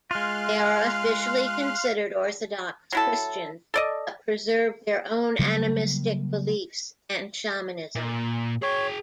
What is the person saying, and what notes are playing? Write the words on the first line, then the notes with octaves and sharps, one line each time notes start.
They are officially considered Orthodox Christians, but preserved their own animistic beliefs and shamanism.
G#3 F4 F5 C6 F6 F#6
F#3 E4 A4
A4 D5 D#5
C#3 F#3 G3 A#3
A#2
G#4 C#5 G5